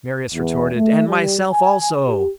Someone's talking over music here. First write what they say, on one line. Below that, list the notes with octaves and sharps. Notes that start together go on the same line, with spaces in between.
Marius retorted: "And myself also."
E2
A3
G3
G#5
G4